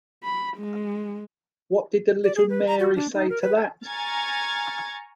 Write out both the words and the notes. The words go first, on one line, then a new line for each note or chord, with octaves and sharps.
What did the little Mary say to that?
B5
G#3
D5
G#4
B4
A#5
F#4
D4
D#4
A#4
B4
G#5 A#5 C#6 F6 G#6 A6